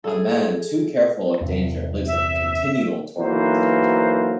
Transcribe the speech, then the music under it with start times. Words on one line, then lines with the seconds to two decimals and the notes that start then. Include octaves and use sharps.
A man too careful of danger lives in continual torment.
0.04 G#4 A4
1.41 E2 G2 C3
2.07 E5
3.18 B1 E3 F#3 A#3 A#4 C5